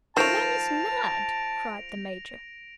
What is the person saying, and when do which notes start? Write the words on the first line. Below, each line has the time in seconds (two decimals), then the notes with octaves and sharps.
"The man is mad!" cried the Major.
0.17 D#3 F3 A3 A5 A#6 D7 F7